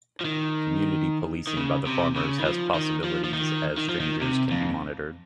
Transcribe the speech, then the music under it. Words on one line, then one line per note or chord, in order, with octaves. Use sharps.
Community policing by the farmers has possibilities as strangers can be monitored.
F3
D#3
D#3
C#3
C3
C#3
D#3
F3
D#3
F3
F3
D#3
D#3
F3
D#3
C3
F2